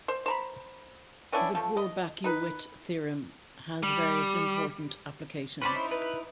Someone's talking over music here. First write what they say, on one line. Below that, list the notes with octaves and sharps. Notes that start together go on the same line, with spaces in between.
The Bourbaki-Witt theorem has various important applications.
C5
C5 A#5 B5
B3 C#4 D4 E4
F3 A3
D#5
D#4 B4
G3
C#4 B4 C5 D5 B5
D#4 E4
B4